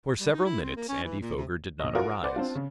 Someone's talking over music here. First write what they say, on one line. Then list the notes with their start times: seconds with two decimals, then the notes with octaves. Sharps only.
For several minutes Andy Foger did not arise.
0.20 G3
0.32 D#4
0.45 E4
0.62 C4
0.76 A#3
0.89 C#4
1.04 E3
1.20 A#2
1.36 C3
1.80 A#1 D#5
1.95 F4 F#4 A#4 F#5
2.23 B4 C5 D5 F#5
2.36 C4 D4 F4
2.55 C#3